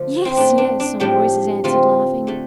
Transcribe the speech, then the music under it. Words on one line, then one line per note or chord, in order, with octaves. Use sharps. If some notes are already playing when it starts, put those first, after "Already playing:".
"Yes, yes!" some voices answered, laughing.
Already playing: D3 F3 A3
C4
A2 A3 D4
D4
D4
A2 F3 A3 D4 G4
D3 A3 C4 F4
D3 A3